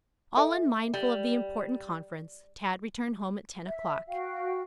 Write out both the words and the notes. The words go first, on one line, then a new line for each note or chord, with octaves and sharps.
All unmindful of the important conference, Tad returned home at ten o'clock.
A4 E5 G#5
G3
E5
F#4 F5 G5